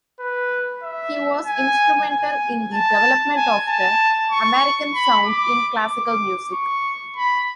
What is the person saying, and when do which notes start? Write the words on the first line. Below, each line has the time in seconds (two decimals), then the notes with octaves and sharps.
He was instrumental in the development of the "American Sound" in classical music.
0.20 B4
0.83 E5
1.46 G#5
2.10 G#5
2.74 A5
3.36 G#5
3.68 A5
4.31 C#6
4.95 B5
5.26 D6
5.90 D6
6.53 C#6
7.16 B5